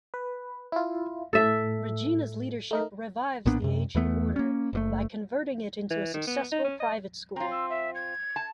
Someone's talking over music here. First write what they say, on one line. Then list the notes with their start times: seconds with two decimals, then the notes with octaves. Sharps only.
Regina's leadership revives the ageing Order by converting it into a successful private school.
0.14 B4
0.72 E4 F4
1.33 A2 A4 E5
2.71 A3 D#4 A#4
3.46 B1 A#2 B3 D4
3.62 F#2 C3
3.95 E2 E3 A3 B3
4.36 A#3 C#4
4.73 F#1 A2 A3
5.91 E3
6.14 D#3
6.27 B3
6.52 D#4
6.64 C#4
6.80 D#5
7.36 C4 F4 A#5
7.51 E6
7.70 E5
7.95 G#6
8.36 A5